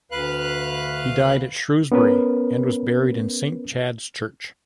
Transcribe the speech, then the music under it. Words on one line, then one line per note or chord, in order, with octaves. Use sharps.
He died at Shrewsbury, and was buried in Saint Chad's Church.
D2 B4 F5 F#6
B3 C#4 A#4 B4